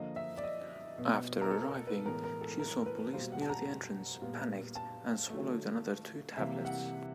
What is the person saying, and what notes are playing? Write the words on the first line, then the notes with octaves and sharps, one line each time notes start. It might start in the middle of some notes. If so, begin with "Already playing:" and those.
After arriving, she saw police near the entrance, panicked, and swallowed another two tablets.
Already playing: D3 F3 A#3 D#5
E5
D5
D#5
B2 F#3 B3
A#4
A4
A#4
B4
A2 E3 G#3 B3 A#4
A#4
A4
A#4
B4
B2 G3 A#3 C5
F#5
A5
A#5
A#2 G3 B3
A5
D3 F#3 A3
C3 E3 G3 A#3 E5
F#5